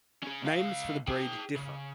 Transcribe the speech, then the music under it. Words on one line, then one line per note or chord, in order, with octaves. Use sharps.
Names for the breed differ.
C#4 G#4
C#2 F5
G#4 G5
C#3